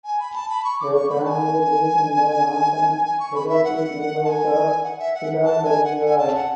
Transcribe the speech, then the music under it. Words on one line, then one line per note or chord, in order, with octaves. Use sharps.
The family lives in the Northern Liberties neighborhood of Philadelphia.
G#5
B5
A5
B5
C#6
D6
C#6
B5
A5
G#5
G#5
C#6
B5
E5
F#5
A5
G#5
F#5
E5
F#5
A5
G#5
F#5
G#5
A5
F#5